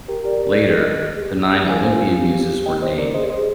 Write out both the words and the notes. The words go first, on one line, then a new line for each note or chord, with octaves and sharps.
Later, the Nine Olympian Muses were named.
G4 A#4
G4 A#4 D5
D5
D#5
G#4
G4
A#4 F5 G#5
C5
F4
F4
G4
D#5 G5
C5 D#5
A#4 D5
G#4 C5 D#5
G4
G#4 C5 D#5